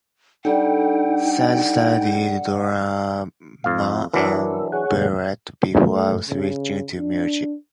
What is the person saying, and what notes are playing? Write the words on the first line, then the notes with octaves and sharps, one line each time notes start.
Sage studied drama and ballet before switching to music.
G3 D4 D#4 A4 F#5 G5
F2 F5
E3 F#3 D4 A#4 E5
G#4 C#5 F#5
A3
C#3
D4